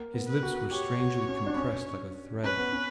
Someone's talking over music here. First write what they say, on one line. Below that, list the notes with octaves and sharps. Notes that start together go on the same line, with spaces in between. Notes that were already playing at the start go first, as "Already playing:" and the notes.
His lips were strangely compressed like a thread.
Already playing: A#3
B3
B4
F#4
G4 C#5
F#4
C#4
D4
C#4
C#4 B4
B3
C#4